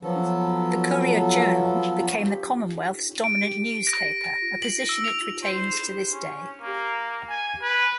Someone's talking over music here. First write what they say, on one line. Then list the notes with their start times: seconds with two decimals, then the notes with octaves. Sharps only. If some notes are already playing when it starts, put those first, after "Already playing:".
"The Courier-Journal" became the commonwealth's dominant newspaper, a position it retains to this day.
0.03 F3 F#3 B3 A4
3.24 D7
3.87 A#6
4.62 F#7
4.89 E6
5.04 F7
5.43 C5
6.12 C#4
6.62 A#3
7.29 G#5
7.62 B4